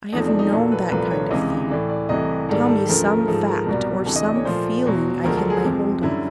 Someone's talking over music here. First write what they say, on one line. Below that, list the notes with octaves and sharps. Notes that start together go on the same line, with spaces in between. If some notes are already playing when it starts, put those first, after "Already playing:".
I have known that kind of thing. Tell me some fact or some feeling I can lay hold of.
E2 C3 F3 A3 D#4
D4
D#4
A#2 F#3 A3 A4
B4
C2 A#2 F3 A3 B4
C#5
C#2 C3 E3 G#3 D#5
A2 E3 A3 D5
D5
C2 C3 E3 A3 D#5
G#2 D#3 G3 A4
A4
D2 C#3 F3 A3 A#4
A#4
G#2 F3 G#3 A4
A#4
C2 B2 G3
D2 C3 E3 A4
D#5
D5
C#5
A#2 F3 A3 C5
E2 B2 F#3
D2 D3 F3 G#3 A#4
A4
G#4
F2 C3 F3 G#3
F#2 D3 G3 E4